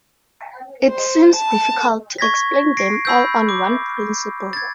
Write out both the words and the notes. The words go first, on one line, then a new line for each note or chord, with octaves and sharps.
It seems difficult to explain them all on one principle.
C5
A5
C#6 G#6 A#6 B6
A#6 C7 D7
B5 E6 G6
D6
G#6 A6